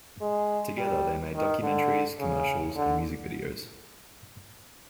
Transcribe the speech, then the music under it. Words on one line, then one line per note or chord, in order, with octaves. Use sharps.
Together they made documentaries, commercials and music videos.
G#3
G3
D#3
D3
C#3
D3